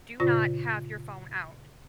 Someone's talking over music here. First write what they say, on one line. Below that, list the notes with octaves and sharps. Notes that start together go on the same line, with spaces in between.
do not have your phone out."
A#2 C#3 F4 C5 D5 A#6